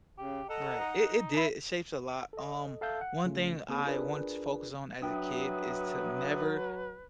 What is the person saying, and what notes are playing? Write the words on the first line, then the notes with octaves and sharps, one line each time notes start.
Right. It it did, it shapes a lot. Um, one thing I want to focus on as a kid is to never
C#3 G4
A4 D#5 F#5 A#5
D#4
D4 E4
A4 D#5
A4 E5 F5 A5 E6 G6
F#5
C#3 A3 C#4 F4
C#3 A#3 C4 G#4
D4 F4 G#4 A#4 B4 D5
F#3 D4 B4 E5 G5 D#6